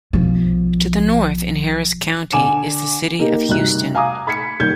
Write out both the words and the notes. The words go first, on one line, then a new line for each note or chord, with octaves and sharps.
To the north in Harris County is the city of Houston.
B1 F3
D3 G#5 D6 E7
A#3 D#4 G4
D2 G2 C3 D#4 F#6
F5 G#5 A#5 D6 D#6
B5 G#6 B6 C#7
D#1 D#2 D#3 G6 G#6